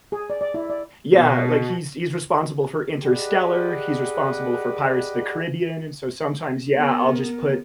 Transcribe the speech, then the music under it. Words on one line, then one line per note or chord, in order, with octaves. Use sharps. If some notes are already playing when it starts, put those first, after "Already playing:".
Yeah, like, he's he's responsible for Interstellar, he's responsible for Pirates of the Caribbean, and so sometimes, yeah, I'll just put
G#4
D5
D5
E4
D5
B2
G4 G#4 B4 D5 D#5 F#5
B3 A#4